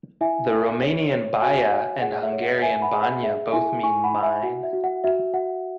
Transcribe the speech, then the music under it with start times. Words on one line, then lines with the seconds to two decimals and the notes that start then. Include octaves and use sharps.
The Romanian "baia" and Hungarian "banya" both mean "mine".
0.21 E4 E5 G#5
0.51 E4
0.82 C#5
1.11 C#5
1.41 F#4 E5 G#5
1.72 C#5 F#5
2.01 G#4 F#5
2.23 E5
2.33 C#5
2.42 F#5
2.62 B4 E5 G#5
2.82 F#5 B5
2.93 G#4
3.03 F#5
3.23 G#4 E5
3.52 E4 E5 G#5
3.83 E4 G#5 C#6
4.04 F#5 B5
4.13 E4
4.23 E5 G#5
4.43 F#4 F#5
4.63 E5
4.73 F#4
4.84 F#5
5.04 F#4 E5
5.33 F#4 F#5